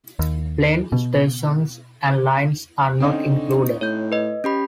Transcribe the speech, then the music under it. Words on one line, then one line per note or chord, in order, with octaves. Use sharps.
Planned stations and lines are not included.
D#2
B2
D3 C4 C#4 D#4
A2 C#5 G6
B4 D#5
C#4 G4 B5